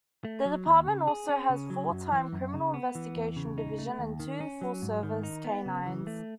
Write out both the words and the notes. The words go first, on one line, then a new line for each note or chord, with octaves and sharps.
The department also has a full-time Criminal Investigation Division and two full service canines.
A3
F#3
D#2
C#3
G#4
C#4
C#3
F#3
F#2
E3
F#2
C#3
B3
E3
E2
C#3
D#4
A3
D#2
D#3
C#4
F#3
G#2
D#3
D#4
B3
C#3
E3
A3